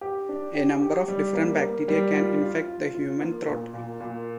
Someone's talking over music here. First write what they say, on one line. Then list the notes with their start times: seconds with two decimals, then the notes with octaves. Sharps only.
A number of different bacteria can infect the human throat.
0.01 G4
0.29 D4
0.55 G4
0.82 G4
1.08 G3
1.34 A#3
1.61 A#3
1.88 G3
2.15 F4
2.41 F4
2.68 F4
2.95 F4
3.20 A#3
3.47 A#2
3.74 A#2
4.00 A#2